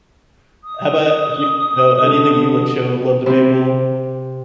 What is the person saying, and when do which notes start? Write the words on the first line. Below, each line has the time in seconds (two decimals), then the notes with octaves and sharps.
How 'bout uh, you know how do you think you, like, show love to people?
0.64 D#6
2.00 D3
3.26 C3 C4